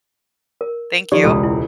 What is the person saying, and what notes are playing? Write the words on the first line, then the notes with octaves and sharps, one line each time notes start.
Thank you.
A#4
D#3 F3 G4 D5 D6
E1 C#2 A4
E4